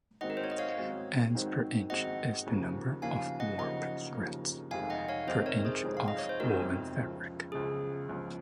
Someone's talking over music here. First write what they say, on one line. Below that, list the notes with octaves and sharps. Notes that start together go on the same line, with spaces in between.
Ends per inch is the number of warp threads per inch of woven fabric.
G#2 D#3 G#3 C4 F#4 D#5 F#5
A#4
C5
C#5
D#5
C#5 F5
G#2 D#3 G#3 C4 F#4
G#2 D#3 G#3 C4 F#4
G#2 D#3 G#3 C4 F#4 D#5 F#5
D#2 C#3 F3 A#3
D#2 C#3 F3 A#3 F5 G#5
D#5 F#5
D#2 C#3 F3 A#3 D#5 F#5
D#2 C#3 F3 A#3
F1 F2 C3 D#3 G#3 F5 G#5
D#5 F#5
C#5 F5
F1 F2 C3 D#3 G#3 C5 D#5
A#4 C#5
G#4 C5
F1 F2 C3 D#3 G#3
F5
D#5
C#5
C5
F1 F2 C3 D#3 G#3 F#4 A#4
C#2 C#3 F3
C#2 C#3 F3 G#4
C#2 C#3 F3